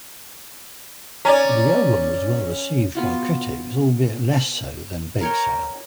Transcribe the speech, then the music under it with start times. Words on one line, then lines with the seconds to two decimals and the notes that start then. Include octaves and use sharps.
The album was well received by critics, albeit less so than "Bakesale".
1.25 C#4 D5 A#5
2.95 B3 F4 F#4
5.21 A#4 C#5 G5